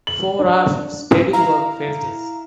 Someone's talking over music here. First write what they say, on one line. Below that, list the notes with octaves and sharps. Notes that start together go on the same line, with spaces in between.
Four hours of steady work faced us.
F#7
D4
E4 F5 A#5